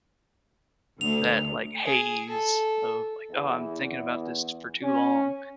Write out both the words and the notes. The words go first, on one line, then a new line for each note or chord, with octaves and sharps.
that, like, haze of, like, "Oh, I'm thinking about this for too long."
D2 F7
G#4
A4
E2
C#4